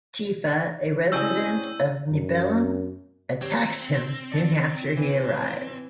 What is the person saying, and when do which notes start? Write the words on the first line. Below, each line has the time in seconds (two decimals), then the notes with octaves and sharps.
Tifa, a resident of Nibelheim, attacks him soon after he arrives.
1.12 C#3 C4 E4 D5 G#5 E6 G6 D#7
2.11 F#2
3.41 C4 G4 C#5 G5
3.59 C5 G5 G#5
4.32 D5 A5 C6
4.97 E3